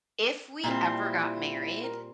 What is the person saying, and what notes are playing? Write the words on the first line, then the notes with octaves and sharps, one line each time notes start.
if we ever got married"
A#2 G3 C4 E4
A#4